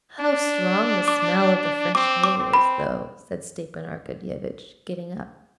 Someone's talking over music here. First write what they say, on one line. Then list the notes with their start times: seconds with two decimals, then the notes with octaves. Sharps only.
"How strong the smell of the fresh hay is, though," said Stepan Arkadyevitch, getting up.
0.20 D4
1.08 D6
1.95 C4 D6
2.24 D6
2.38 C4
2.53 B5